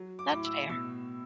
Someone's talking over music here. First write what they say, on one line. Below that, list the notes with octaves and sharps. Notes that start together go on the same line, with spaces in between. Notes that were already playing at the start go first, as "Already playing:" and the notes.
That's fair.
Already playing: F#3
D6
A2 D6
E6
B2 E6